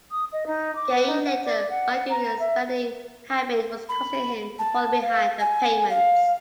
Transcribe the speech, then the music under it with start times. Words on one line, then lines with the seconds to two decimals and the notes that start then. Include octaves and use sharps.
Gaye later argued his spending habit was causing him to fall behind on payments.
0.11 D#6
0.32 D#5
0.46 D#4
0.75 D6
0.94 B4
1.07 D#4
1.24 F#5
1.44 D5
1.70 F#5
2.09 A#5
2.39 E5
3.89 B5
4.58 A5
5.01 F5
5.39 G#5
5.89 F5